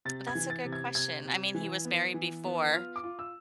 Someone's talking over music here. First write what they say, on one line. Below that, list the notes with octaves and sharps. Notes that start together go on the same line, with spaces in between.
That's a good question. I mean, he was married before,
C3 A6
G#6
E3
A6
C3
G#6
C3 G#6
C3
E3
B3
E3
B3
F4 F6
D6
F4
E6